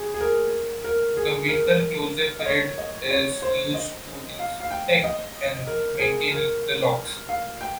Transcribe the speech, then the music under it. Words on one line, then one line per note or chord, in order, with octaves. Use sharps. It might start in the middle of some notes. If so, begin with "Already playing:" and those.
The winter closure period is used to inspect and maintain the locks.
Already playing: G#4
G#4
A#4
A#4
G#4
A#4
D#5
C#5
D#5
C#5
C5
D#5
F5
F5
G5
D#5
A#4
G#4
A#4
F5
G5